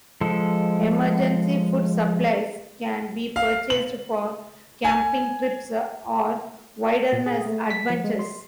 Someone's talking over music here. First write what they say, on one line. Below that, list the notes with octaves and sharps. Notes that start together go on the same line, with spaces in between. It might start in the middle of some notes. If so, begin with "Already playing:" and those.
Emergency food supplies can be purchased for camping trips or wilderness adventures.
F3 G#3 A4
F5
F#7
G#5
A#2
G#4
A3
B6
F3
G#3
C6